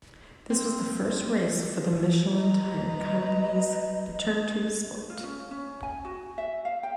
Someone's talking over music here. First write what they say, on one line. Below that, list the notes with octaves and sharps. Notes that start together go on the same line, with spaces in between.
This was the first race for the Michelin tyre company's return to the sport.
C4
B4 D#5 A#5
F4
C#4
C#4
G#5
F#4
E5
F5
G5